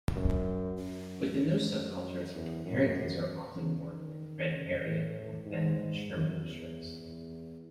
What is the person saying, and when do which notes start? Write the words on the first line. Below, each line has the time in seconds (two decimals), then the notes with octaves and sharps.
Within those subcultures, Harringtons are often worn with Fred Perry or Ben Sherman shirts.
0.16 F#2
0.78 F#2
1.41 G#2
1.72 F#2
2.34 E2
2.66 F#2
3.59 C#3
3.90 D#3
4.53 C#3
4.85 A2
5.46 G#2
6.09 F#2
6.39 E2
7.02 E2